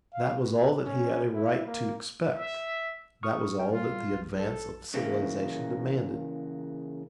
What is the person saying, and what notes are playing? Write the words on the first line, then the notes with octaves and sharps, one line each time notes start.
That was all that he had a right to expect; that was all that the advance of civilization demanded.
F5
B4
C#4
E4
A#3
E5
C#6 D#6 F6
C#4 G5
G3 F4
A#1
A4
C#3 E3 A#3